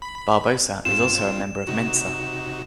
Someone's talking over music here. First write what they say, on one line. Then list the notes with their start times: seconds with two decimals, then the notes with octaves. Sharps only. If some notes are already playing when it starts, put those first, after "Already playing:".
Barbosa is also a member of Mensa.
0.02 B5
0.85 G2 C4 F4 E7
1.67 C3 D#4 F#4